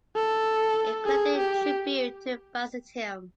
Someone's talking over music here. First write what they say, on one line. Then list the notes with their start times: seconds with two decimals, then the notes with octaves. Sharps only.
He collected tribute to Byzantium.
0.16 A4
1.06 G#4
1.37 G4